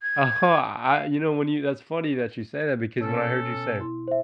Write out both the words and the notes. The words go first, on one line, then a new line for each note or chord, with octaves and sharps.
Uh-huh, I You know, when you That's funny that you say that, because when I heard you say
G#6
F5
B2 B3 C#4 A4
E4 C6
C5 E5